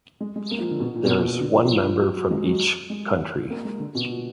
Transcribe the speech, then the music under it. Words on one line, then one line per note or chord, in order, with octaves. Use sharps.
There is one member from each country.
G#3
G#3
A#3
F3
D3
B2
A#2
B2
A#2
D3
F3
F#3
F#3
G#3
F#3
G#3
A#3
G#3
D3
B2
A#2